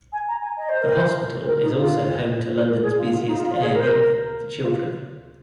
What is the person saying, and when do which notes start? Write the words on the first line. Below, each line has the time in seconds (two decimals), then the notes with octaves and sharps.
The hospital is also home to London's busiest A and E for children.
0.12 G#5
0.28 A#5
0.42 G#5
0.57 D#5
0.69 C5
0.81 A#4
0.92 C5
1.43 C5
1.47 A#4
1.62 D#4
1.77 F4
2.52 C5
2.67 A#4
2.82 G#4
2.97 F4
3.13 F4
3.27 D#4
3.38 F4
3.50 F4
3.61 G#4
3.73 A#4
3.80 C5
3.87 A#4
4.62 F4